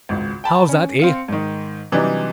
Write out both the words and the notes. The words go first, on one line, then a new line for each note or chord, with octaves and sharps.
How's that, eh?
G#1 C#2
G5 A5 B5
C#4
C4 F5 C#7
G#2 D#3
C3 E3 F#3 G3 D4 D#4